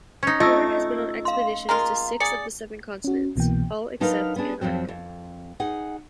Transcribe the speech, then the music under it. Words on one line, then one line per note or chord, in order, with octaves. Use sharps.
Corwin has been on expeditions to six of the seven continents-all except Antarctica.
C#4 D#4
A3 F4 D#5 E6 A#6
F5 C6
G#3 A#3 F4 A#5
G#4 D5 C#7
C#4 F#4
C2 B2 E3 A#3 G5
F#3 D4 D#4 A#4 B4 F5
B3 C#4 D4 G#4
F2 F3 F#3 C4
F2
D#4 G#4 F#5